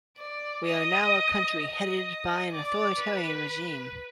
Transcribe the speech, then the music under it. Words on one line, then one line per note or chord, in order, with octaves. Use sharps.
We are now a country headed by an authoritarian regime.
D5
D#5
D#5
D5
B4